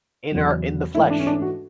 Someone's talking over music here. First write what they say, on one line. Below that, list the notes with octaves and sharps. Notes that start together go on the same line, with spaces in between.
in our in the flesh?
E2 C#3 F#3
G#2 E3 A3 E4
D4
C#4
D4
F#4